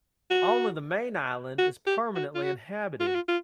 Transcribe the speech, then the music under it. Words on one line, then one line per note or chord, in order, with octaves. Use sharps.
Only the main island is permanently inhabited.
F#4
F#4
G4
F#4
F4
F#4
F4
F#4
F4
F4